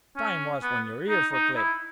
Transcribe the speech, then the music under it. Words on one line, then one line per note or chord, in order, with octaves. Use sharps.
Time was when your ears were clipped.
C#4
B3
D#4
D#4
E4